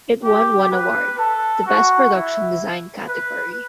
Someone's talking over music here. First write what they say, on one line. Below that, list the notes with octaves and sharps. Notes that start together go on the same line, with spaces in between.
It won one award - the Best Production Design category.
G4
B4
A4
F#4
E4
B4